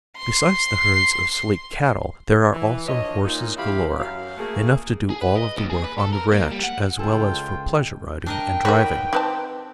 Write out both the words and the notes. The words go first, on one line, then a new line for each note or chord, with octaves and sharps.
Besides the herds of sleek cattle, there are also horses galore, enough to do all of the work on the ranch as well as for pleasure riding and driving.
C6 C7
E3
F3 D4 C#5 D#5
A#2 D#4
C3 E3 E4 G4 F5 B5
F#2 F5
A3 A#3 G#4
G#4
B4
D#5
D#2
G#4
B4
A4
A#4
A#3
G3
F#5
C#2 F4 G#4 A4 G5
D4 A#4 D#5 G5
D#4 F#4 A#4 B4 C#5
C4 D#4 B4 A5